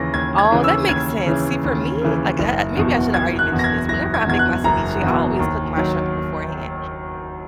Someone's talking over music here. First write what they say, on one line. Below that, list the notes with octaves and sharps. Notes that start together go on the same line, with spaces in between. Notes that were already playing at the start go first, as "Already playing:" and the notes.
Oh, that makes sense. See, for me, like, that maybe I should've already mentioned this. Whenever I make my ceviche, I always cook my shrimp beforehand
Already playing: D#2 C#3 E3 A#6
D#2 G#6
G#6
C#3 E3
E6
D#2 G#6
C#3 E3
D#2
C#3 E3
F#1
E2 B2
F#1 G#6
F#6
E2 B2
A#6
G#6
F#1 A#6
G#6
E2 B2 G#6
F#6
F#1 A#5
E2 B2
D#2
D#3 F#3